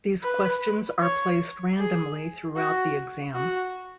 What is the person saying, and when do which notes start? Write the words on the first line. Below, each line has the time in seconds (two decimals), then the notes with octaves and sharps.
These questions are placed randomly throughout the exam.
0.23 B4
1.01 C#5
1.79 G#4
2.56 F#4
3.34 F#4